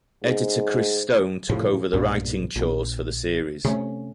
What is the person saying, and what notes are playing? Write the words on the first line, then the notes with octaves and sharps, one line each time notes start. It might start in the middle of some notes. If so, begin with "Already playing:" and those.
Editor Chris Stone took over the writing chores for the series.
G#2
A2 C3 F3
B1 G2 A#2
A#1
C3 A3 C#4